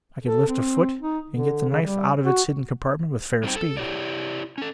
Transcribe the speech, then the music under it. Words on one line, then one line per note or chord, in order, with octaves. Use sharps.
I could lift a foot and get the knife out of its hidden compartment with fair speed.
A4
C4
D#4
D3
C#3
G3
F#4
G3 C4 D#4 C5 G5
A4
E4 G4 C#5 D5
C#4 A4